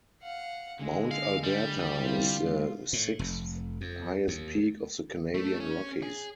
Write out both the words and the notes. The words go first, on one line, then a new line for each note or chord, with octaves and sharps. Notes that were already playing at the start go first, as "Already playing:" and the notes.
Mount Alberta is the sixth highest peak of the Canadian Rockies.
F5 F#5
D3 G#3
F5
G3
C2 F4
G#3
A2
F1
F2
D#2
A3
C#4
G#4